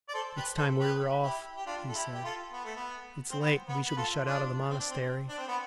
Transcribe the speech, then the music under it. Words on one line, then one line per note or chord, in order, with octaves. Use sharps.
"It's time we were off," he said, "it's late, we shall be shut out of the monastery."
D5
A4 C5
G4 B4
A4 C5
G4 B4
E4 G4
G4
D4 F4
A4
E4 G4
G4
F4 A4
B3
A3
B3
C4
B3
B3
B4
F4 A4
D4 F4
C4
D4
C4
D4
C4
B3